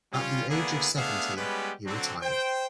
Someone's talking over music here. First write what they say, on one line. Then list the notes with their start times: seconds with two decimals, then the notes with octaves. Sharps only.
At the age of seventy, he retired.
0.13 G3 C#4 F4
0.50 D3 A#3 B3 D4 E4 G#4
0.95 A3 B3 D4 G#4 E5 F5
1.36 G3 G#3 B3 C#4 G4 B4
1.86 D3 F#3 C4
2.23 C5 G5